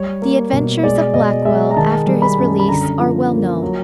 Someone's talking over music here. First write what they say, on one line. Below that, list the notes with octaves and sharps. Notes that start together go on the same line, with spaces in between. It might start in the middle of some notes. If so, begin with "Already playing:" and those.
The adventures of Blackwell after his release are well known.
Already playing: G3 C#5
A#3
B2
G#3 D5
B2 D#5
G#3 E5
A#5
D#3 A5
G3
B5
F#2
B5
D3 A#5
F3
A#3
F#3